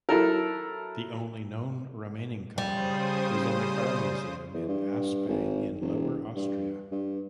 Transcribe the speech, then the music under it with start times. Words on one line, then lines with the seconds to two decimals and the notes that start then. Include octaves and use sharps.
The only known remaining car is in the car museum in Aspang in Lower-Austria.
0.09 F#3 E4 A4 A#4
2.58 C#3 G3 C5 D#6
4.54 E2
4.68 G2
5.29 G#1
5.81 E1
6.36 G2
6.92 G2